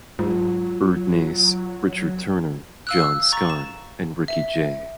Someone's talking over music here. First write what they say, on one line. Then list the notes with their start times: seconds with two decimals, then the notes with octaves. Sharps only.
Erdnase, Richard Turner, John Scarne and Ricky Jay.
0.19 G#2 F#3 F4
2.87 F5 E6 F#6
3.32 A#5 C#6 A6
3.50 E7
4.28 E5